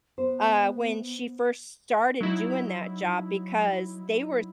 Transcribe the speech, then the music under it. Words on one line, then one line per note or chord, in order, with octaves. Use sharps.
uh, when she first started doing that job because they were
B3 C5
F#3 D#4 E4